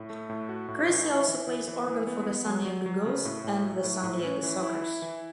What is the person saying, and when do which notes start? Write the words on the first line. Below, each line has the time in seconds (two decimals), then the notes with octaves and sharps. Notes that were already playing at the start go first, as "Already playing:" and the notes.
Cressey also plays organ for the San Diego Gulls and the San Diego Sockers.
Already playing: A2
0.10 A3
0.29 A2
0.49 F#4
0.68 A2
0.88 E3
1.08 E4
1.28 E3
1.47 E3
1.68 E3
1.87 E3
2.07 B3
2.27 B3
2.46 F#3
2.65 F#3
2.86 F#3
3.06 C#3
3.25 A2
3.44 A2
3.64 F#3
3.84 A2
4.03 A2
4.24 C#4
4.43 E3
4.63 E4
4.82 E4
5.02 E3